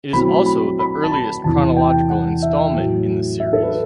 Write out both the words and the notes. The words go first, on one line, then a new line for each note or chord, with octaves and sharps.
It is also the earliest chronological installment in the series.
B2 F#3 A3 C4 E4 B5
B5
B5
A5
B5
E2 C3 E3 A5
G5
F#5
E5
A2 F#3 A3
E5
A4
B4